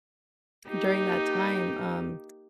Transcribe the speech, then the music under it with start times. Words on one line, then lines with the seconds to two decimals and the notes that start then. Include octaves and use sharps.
during that time, um,
0.68 A#3 D#4 G4